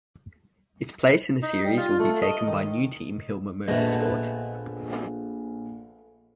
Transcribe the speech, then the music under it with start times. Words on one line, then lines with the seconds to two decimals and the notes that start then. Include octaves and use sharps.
Its place in the series will be taken by new team Hilmer Motorsport.
1.43 D#4
1.64 G3
1.77 F4
1.99 A3
2.22 D#5
2.47 D#3
3.68 A#1 A3 B3 B4 C5 D#5